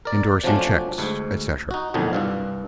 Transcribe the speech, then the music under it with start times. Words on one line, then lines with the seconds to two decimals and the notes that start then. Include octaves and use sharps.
Indorsing Checks, Etc.
0.05 A#4 D5
0.44 C3 F3 F#3 A3 C#4 D4
0.98 D2 G#2
1.71 D#4 F#4
1.94 B1 F2 A2 D3 D#3
2.13 C2 G2 F5